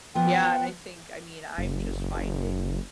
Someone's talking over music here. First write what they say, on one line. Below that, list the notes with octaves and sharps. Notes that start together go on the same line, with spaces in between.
Yeah, and I think, I mean, I'm just finding
F3 B3 G5
F#1